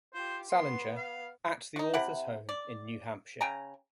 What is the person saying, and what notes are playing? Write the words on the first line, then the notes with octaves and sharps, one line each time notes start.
Salinger at the author's home in New Hampshire.
F4 G4 C5
B3 C6
F5
D#4 F#4
C3 E4 F#5
D5
C#3 G5 G#5 A#5